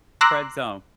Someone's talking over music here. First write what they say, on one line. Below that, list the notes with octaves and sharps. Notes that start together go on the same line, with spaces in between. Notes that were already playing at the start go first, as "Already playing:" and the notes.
Friend zone.
A#5 C6 D6 E6 F#6 A#6